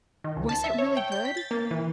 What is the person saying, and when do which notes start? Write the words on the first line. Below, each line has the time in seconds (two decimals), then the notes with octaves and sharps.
Was it really good?
0.24 D#3
0.37 C#2
0.49 A5
0.64 E5
0.79 C#5
0.97 G5
1.12 G6
1.25 B6
1.37 A6
1.51 A#3
1.71 E3